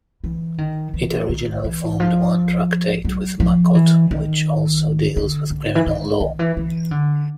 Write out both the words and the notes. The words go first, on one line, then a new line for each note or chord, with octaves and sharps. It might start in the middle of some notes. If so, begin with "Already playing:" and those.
It originally formed one tractate with Makkot, which also deals with criminal law.
E3
D#3
E3
D#3
E3
F3
F#3
F3
E3
D#3
D3
D3
E3
D#3
D#3
E3
E3
D3